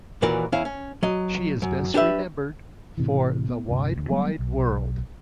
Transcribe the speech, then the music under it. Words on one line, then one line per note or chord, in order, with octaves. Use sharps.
She is best remembered for "The Wide, Wide World".
D#2 A#2 E3 F#4 A#4 D5
E2 C#4 E4 F5
C#4
F#3 D#5
F#2
D4 G4 B4 E5
A2 C3 E3
B3
D2 G2 C3
D2
F#3 G3 A3 B3
B1